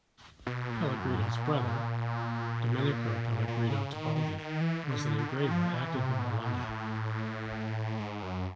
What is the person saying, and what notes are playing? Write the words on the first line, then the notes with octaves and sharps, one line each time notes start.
Pellegrino's brother, Domenico Pellegrino Tibaldi was an engraver active in Bologna.
B2
A#2
A2
F#2
A#2
B2
A#2
A#2
C#3
D#3
D#3
D#3
E3
D3
D3
D3
D#3
F3
E3
C3
B2
A#2
B2
A2
G#2
F#2